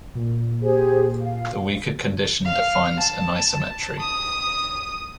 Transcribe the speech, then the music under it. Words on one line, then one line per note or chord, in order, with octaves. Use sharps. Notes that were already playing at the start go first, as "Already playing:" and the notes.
The weaker condition defines an "isometry".
A#2
G4 G#4 C5
F5
F5
A5
D#6